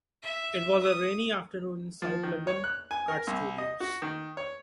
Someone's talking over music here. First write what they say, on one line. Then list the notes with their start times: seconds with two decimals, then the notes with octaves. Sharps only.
It was a rainy afternoon in South London, Art Studios.
0.22 E5
0.83 D#6
2.02 F3
2.23 D#3
2.47 C#5
2.64 F#6
2.91 G#5
3.08 A#4
3.27 C2
3.58 D#5
3.80 F#4
4.02 D#3
4.37 C#5